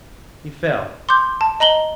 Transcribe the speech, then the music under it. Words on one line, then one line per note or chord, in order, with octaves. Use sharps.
He fell.
C6 D6 G6
A5
D#5 A#5 F#7 G7